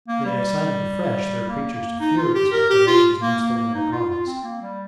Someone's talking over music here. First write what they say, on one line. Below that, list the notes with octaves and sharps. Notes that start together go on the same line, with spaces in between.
They excited afresh their preachers to furious declamations against the royal cause.
A#3
G3
A#3
A#3
D#4
F4
G4
A#4
G4
F4
A#3
A#3
A#3
D#4
F4
F4
C4
A#3
G3